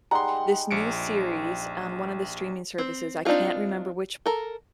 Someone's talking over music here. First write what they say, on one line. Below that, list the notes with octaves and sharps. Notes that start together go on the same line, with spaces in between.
this new series on one of the streaming services, I can't remember which
G3 G#3 D#4 F#5 A#5 C6
A#1 C#7 D7
C4
C4 D4 D#4 F4 G#4
A4 A#4